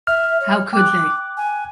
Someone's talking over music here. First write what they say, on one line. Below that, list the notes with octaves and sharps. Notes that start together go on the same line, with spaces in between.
How could they?
E5 F6
C#5
G5 D6 F#6
G#5